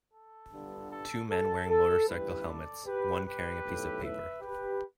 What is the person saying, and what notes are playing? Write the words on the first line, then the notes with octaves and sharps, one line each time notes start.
Two men wearing motorcycle helmets, one carrying a piece of paper.
A4
G1 G2 D3 B3
A4
A4
A4
A1 G2 G3 E4 G4 B4
A4 D5
G4 B4
G4 B4
B1 A2 A3 E4
B4 E5
G4 B4